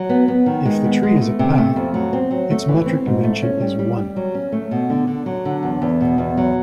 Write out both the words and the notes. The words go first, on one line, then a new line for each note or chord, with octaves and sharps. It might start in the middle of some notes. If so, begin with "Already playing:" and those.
If the tree is a path, its metric dimension is one.
Already playing: F#3
B3
B3
D#3
G#3
B3
G#3
A3
C3
A3
F2
F#3
C4
F#3
A3
E3
C4
G#2
A3
C#4
G3
G3
G3
F#3
C#4
A3
B2
D3
D3
F#3
D3
E2
E2
B2
E2
F#3